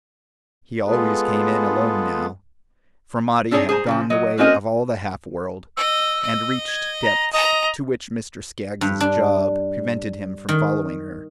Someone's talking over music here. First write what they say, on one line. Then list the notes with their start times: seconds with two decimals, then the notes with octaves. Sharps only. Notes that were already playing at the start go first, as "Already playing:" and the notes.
He always came in alone now, for Maudie had gone the way of all the half-world, and reached depths to which Mr. Skaggs's job prevented him from following her.
0.86 G#3 B3 F4 G#4 A4 B4
3.51 C4 D4 D#4 G#4 C#5
3.69 G#4 C5 G#5 A#5
3.86 C#3 E3 F3
4.10 F#3 D#5
4.38 A#3 C4 C#4 F#4 A#4 D#5
5.77 D#5 E6
6.23 D#5
6.68 G#6
7.03 A#5
7.33 D#5 A#5
8.81 G2
9.00 D4
10.49 D#3